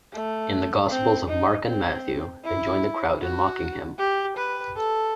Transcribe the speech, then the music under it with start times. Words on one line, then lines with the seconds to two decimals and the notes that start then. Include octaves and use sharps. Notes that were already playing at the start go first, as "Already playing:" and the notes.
In the Gospels of Mark and Matthew, they join the crowd in mocking him.
0.13 A3
0.90 C4
1.29 D#4
1.66 C4
2.45 E4
3.22 F#4
3.98 G4
4.37 B4
4.77 A4